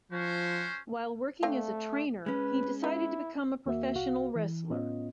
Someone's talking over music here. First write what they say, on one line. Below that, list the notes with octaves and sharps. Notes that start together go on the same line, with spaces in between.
While working as a trainer, he decided to become a professional wrestler.
F3 C#4 F#4 C5
A3 C4 D4 F5
G#3 C#4 B4
B3 E4
D#2 A#3 F#4 E5
C2 F#4 F5
E3
A2 B3 C#4 F4 D#5